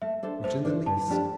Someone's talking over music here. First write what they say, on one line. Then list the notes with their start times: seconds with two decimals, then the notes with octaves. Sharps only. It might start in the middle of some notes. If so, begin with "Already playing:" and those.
"Not in the least."
0.02 A3 E5
0.23 D4 A4 C5
0.44 A3 C5
0.65 D4 A4 C5
0.86 G2 A5
1.08 F3 A3 D4 G4